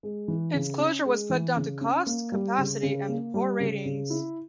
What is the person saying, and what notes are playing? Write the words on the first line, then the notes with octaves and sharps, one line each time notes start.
Its closure was put down to cost, capacity and poor ratings.
G#3
E3
C#3
C#4
G#3
E3
C#3
C#4
A#3
G3
C#3
C#3
A#3
G3
C#3
C#3
E4